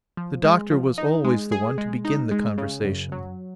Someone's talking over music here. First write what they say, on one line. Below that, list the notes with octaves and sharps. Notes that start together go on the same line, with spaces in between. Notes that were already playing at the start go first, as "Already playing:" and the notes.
The doctor was always the one to begin the conversation.
F3
G#3
F3
D#4
G#3
G#4
G#3
D#4
G#3
C#3
F#2
F#3